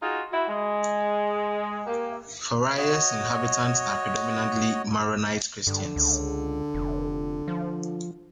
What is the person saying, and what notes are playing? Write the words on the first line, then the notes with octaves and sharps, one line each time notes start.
Faraya's inhabitants are predominantly Maronite Christians.
D#4 F4 F#4 G#4
E4 F#4
G#3
A#3 G4
F#4 C#5 D#5
G2 D3
C#2
F1
F3